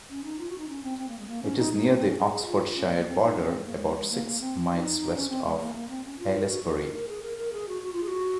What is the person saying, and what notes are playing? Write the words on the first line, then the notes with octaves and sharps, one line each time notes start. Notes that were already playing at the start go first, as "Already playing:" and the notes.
It is near the Oxfordshire border, about six miles west of Aylesbury.
C#4
D#4
F4
F#4
D#4
C#4
C4
C4
A#3
G#3
A#3
C#4
D#4
D#4
C#4
C4
C#4
G#4
G#4
F4
C#4
A#3
A#3
C4
D#4
C#4
C4
G#3
A#3
G#3
G#3
A#3
A#3
C4
D#4
C#4
C4
G#3
A#3
A#3
C4
C#4
F4
A#4
F#4
G#4
A#4
A#4
G#4
A#4
A#4
G#4
F#4
F#4
F4
G#4
F#4